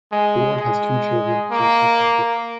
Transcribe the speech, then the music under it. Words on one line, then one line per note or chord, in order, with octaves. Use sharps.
Ward has two children, Jason and Brooke.
G#3
G#3
A#3